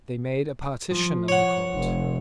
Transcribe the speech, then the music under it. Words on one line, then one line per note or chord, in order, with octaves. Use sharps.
They made a partition of the court.
F3
C#5 F#5
F1